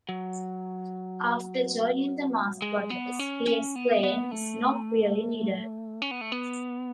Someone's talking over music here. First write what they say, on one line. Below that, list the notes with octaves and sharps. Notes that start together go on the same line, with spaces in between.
After joining the mass protest, he explained: It's not really needed...
F#3
G#3
B3
C#4
C#4
B3
B3
A3
C#4
B3
A3
B3